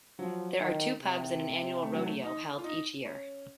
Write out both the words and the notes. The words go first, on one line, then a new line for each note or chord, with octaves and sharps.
There are two pubs and an annual rodeo held each year.
F3 F#3
D#3
C3
A3
F#3
A3
D#4
F4
D#4
C#4